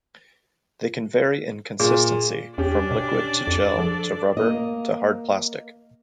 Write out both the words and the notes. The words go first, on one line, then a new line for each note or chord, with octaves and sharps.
They can vary in consistency from liquid to gel to rubber to hard plastic.
A#2 G#4
E2 C#4 D4 G4 D5
B2
F2
F3 A4
A#3 D#5